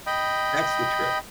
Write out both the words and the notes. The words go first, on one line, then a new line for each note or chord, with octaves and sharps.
that's the trick.
D#5 G5 B5